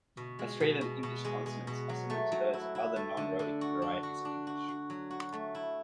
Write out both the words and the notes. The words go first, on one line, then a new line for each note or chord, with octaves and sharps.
Australian English consonants are similar to those of other non-rhotic varieties of English.
B2
G#3
B2
B2
B2
G#3
G#3
B2
F#3
A3
F#3
E4
E4
A3
D3
D3
F#4
D4
F#4
D4
F#4
F#4
F#3
F#4
A3
E4